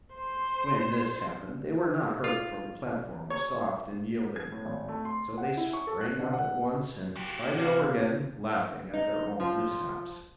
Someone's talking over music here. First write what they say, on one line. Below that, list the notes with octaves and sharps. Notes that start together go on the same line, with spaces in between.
When this happened they were not hurt, for the platform was soft and yielding; so they sprang up at once and tried it over again, laughing at their own mishaps.
C5 C6
F4
C#5
G#6
A2
G#1
A3
C6
F#5
E4
C#6
A4
F#6
D3
F#5
F#4 G4
C3 F5
D#4
F3 F4